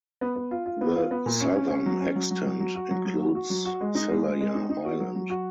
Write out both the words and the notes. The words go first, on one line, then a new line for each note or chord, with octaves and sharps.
The southern extent includes Selayar island.
B3
B3
F4
F4
B3
F4
B3
A#2
C#4
C#4
C#4
F#3
C#4
F#3
F#3
F#3
F#3
F#4
F#3
F#3
F#4
F#4
F#3
F#4
G#3
D#4
G#3
G#3
G#3
D#4
D#4
F#4
F#3
F#3
F#4